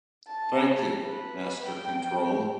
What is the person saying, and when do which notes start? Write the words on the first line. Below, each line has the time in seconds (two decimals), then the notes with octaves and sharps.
Thank you, Master Control.
0.27 A5
1.02 B4
1.66 G5